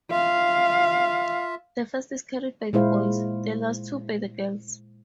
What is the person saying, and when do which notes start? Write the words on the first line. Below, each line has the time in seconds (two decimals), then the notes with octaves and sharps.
The first is carried by the boys, the last two by the girls.
0.11 F4 E5 F5
2.73 A#2 G#3 E4 C5 F5